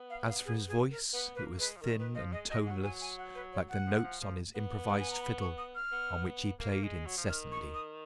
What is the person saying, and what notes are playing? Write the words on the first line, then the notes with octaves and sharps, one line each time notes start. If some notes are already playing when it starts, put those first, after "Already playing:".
As for his voice, it was thin and toneless, like the notes on his improvised fiddle, on which he played incessantly.
Already playing: B3
F5
F5
G#4
G#4
A#4
B3 B4
A#3 B4
G#3 B4
F3
D#3 A#4
D#3 B4
F3 D#5
G#3 D#5
F#3 D#5
G#3
F#5
F#3
G#5
G#5
F#5
B4
C#5
F#5
F3
F3
F3
B3
F#5
G#5
A#5
B5
C#6
D#6
F6
B3
A#3
A#3
G#3
F#3
F3
D#3 F6
C#6
D#6